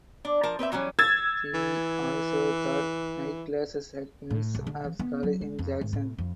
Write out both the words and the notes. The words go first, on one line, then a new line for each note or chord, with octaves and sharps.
He also taught night classes at Millsaps College in Jackson.
D4
F3 A#4 A5
C4 B4 C5 E5
E3 F#3 G3 C#4
E6 G#6 A6
E3
A2
C2
D3
E3
B3
F#3
G#3
F2
G#1
A2
F2